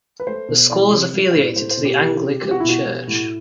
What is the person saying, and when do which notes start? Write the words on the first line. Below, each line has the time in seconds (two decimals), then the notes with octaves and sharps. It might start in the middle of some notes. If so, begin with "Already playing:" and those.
The school is affiliated to the Anglican church.
0.20 B4
0.27 A3 C5
0.49 B2
0.70 E3 D5
0.92 C3
1.13 G3
1.35 A2
1.56 A3 C5
1.71 C5
1.77 B2
1.85 G4
1.99 E3 G4
2.21 C3
2.42 G3 G4
2.51 F#4
2.60 E4
2.64 B2 F#4
2.85 G3
3.07 A2